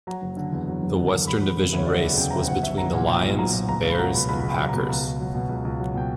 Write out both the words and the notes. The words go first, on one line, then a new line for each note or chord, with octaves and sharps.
The Western Division race was between the Lions, Bears and Packers.
F#3 A#5
F#1
D3
E2
F#3
F#1
D3
E2
F#3 B5
E1
B5
C#3
D2 C#5
F#3 D5
E5
E1 F#5
C#3 G5
D2 A#5
G5
B1 F#5
B1 E5
F#3 A#5
A#2 F#5
B1 G5
B1
F#3 A#5
A#2
C#2 A#5
C#2
B5
F#3 A#5
B2
C#2 B5
C#2
B5
F#3
B2 A#5
C#2 A#5
C#2
F#3
B2
C#2
C#2
F#3
B2 G5